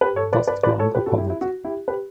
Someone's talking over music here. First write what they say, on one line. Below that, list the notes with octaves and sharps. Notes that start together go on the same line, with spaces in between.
Dust ground upon it.
G4 B4
A4 C#5
B4 D5
B4 D5
B4 D5
A4 C#5
G4 B4
F#4 A4
E4 G4
E4
F#4
E4 G4
G4 B4